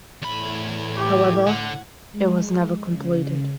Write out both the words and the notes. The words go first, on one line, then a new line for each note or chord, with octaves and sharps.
However, it was never completed.
E2 A2 B5 G#6
G4
D3 F#5
G#3
C#3